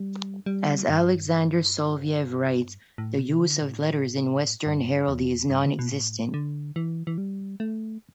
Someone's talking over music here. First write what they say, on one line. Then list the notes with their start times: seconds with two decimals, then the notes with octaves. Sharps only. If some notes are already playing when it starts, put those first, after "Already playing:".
As Alexander Soloviev writes, the use of letters in western heraldry is nonexistent.
Already playing: G3
0.46 G3
0.89 G2
2.98 A2
3.19 B2
3.40 D3
3.61 A2
4.66 G2
5.08 E2
5.50 G2
5.66 D3
5.79 B2
5.92 A2
6.34 D3
6.76 E3
7.07 E3
7.18 G3
7.60 A3